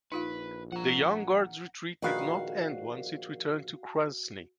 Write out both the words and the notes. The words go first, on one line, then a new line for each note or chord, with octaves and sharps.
The Young Guard's retreat did not end once it returned to Krasny.
A#1 D#4 F4 B4 F5
F3 F#5 A#5
A#1 D#3 F#4 B4 F5